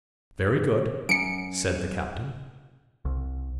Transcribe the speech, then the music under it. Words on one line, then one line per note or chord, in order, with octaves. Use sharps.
"Very good," said the captain.
F#2 C#7 D7
C2